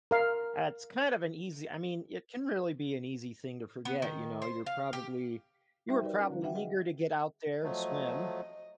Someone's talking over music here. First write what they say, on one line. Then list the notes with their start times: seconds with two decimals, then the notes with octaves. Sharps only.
that's kind of an easy I mean, it can really be an easy thing to forget, you know, you're probably you were probably eager to get out there and swim.
0.11 A#4 F5
3.85 B3
4.02 D#3
4.42 C5
4.66 F5
4.93 G4
5.89 G3 D#4 F#4 C5 E5 G5
6.02 D#4 G4 A#4 B4 D5
6.19 C#4
6.30 D3 G3 F5
6.42 F#4 B4 E5 F#5 G5
6.55 G#4 D#5 F#5
7.63 F3 F#3 A3 D#5